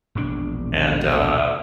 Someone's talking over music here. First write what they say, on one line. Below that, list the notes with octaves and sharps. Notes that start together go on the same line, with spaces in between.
and, uh
E1 A#1 A2 D4